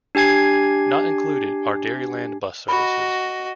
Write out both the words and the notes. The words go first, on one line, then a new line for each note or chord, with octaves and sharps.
Not included are Dairyland Bus services.
D4 G4 G#5 G#6 C7
F#4 D#5 B5